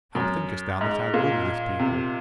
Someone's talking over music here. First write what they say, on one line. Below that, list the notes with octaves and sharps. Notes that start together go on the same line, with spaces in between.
How thinkest thou that I rule this people?
F#2
G#2
A#2
C3